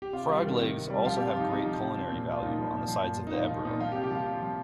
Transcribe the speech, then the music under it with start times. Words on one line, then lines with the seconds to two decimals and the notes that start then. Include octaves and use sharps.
Frog legs also have great culinary value on the sides of the Ebro.
0.02 G4
0.13 C3 F4
0.29 G3
0.44 D#3
0.58 C3
0.75 C3
0.90 G3
1.05 F3 F4
1.16 G4
1.20 C3
1.27 F4
1.36 F3 D#4
1.51 C3 D#4
1.66 F3
1.81 C3
1.96 F3 C4
2.12 A#2
2.28 F3 F4
2.42 A#2 D#4
2.58 F3
2.73 A#2
2.88 F3
3.04 A#2
3.19 F3
3.27 D#4
3.34 A#2 F4
3.50 F3 D#4
3.65 A#2 D#4
3.80 F3 F4
3.92 G4
3.95 C3
4.04 G4
4.11 F3 F4
4.26 C3
4.42 F3